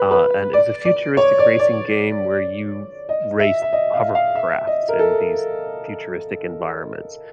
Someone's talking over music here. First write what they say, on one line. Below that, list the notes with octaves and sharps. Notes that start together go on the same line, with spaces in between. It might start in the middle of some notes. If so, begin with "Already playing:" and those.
uh, and it was a futuristic racing game where you race hovercrafts in these futuristic environments,
Already playing: B4
B4
D5
D5
C#5
D5
D5
D#5
E5
E5
D#5
F5
F5
E5
D#5
A#4
A4